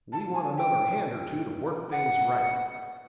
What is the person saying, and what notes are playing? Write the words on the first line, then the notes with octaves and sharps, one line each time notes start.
We want another hand or two to work things right.'
A5
G#5
G5
F#5